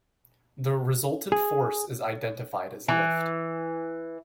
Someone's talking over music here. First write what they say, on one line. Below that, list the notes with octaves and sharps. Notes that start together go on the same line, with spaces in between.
The resultant force is identified as lift.
G#4
E3